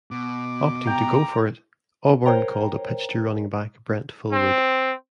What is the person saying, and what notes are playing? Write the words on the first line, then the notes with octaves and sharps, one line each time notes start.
Opting to go for it, Auburn called a pitch to running back Brent Fullwood.
B2 D6
G5 A#5
A#4 C5 C#5 G5 A#5
C4